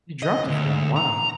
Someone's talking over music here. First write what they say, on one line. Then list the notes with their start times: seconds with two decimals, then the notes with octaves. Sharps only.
He dropped you for that, wow.
0.23 D#5
0.48 D2
0.96 A#5